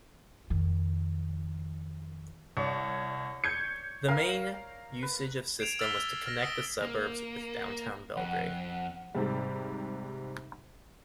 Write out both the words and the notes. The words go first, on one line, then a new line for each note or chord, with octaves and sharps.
The main usage of system was to connect the suburbs with downtown Belgrade.
F2 D#3
C2 C#5 D5
G6 G#6 C#7
A#4 F5
B4
G#6 C7 D7 E7 F7
E6 F6 A6 B6 C7 G7
F6 A#6
D#6 E6 A#6 D7 G7
A#3
F2 F#5
G#2 C3 G3